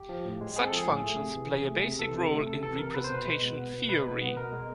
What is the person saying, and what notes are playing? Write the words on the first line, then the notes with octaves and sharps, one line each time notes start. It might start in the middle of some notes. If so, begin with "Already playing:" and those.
Such functions play a basic role in representation theory.
Already playing: G4
F3
A2
G#3
C4 G#4
F3 A4
G#4
A2
A3
C3
E3
C3
A3
C3
E3 A4
C3
A3
C3 A4
E3 A4
C3 A#4
B3 B4
C5
B2 B4
G#3
B2
B3
B2
G#3 B4
B2
B3
B2 A#4
G#3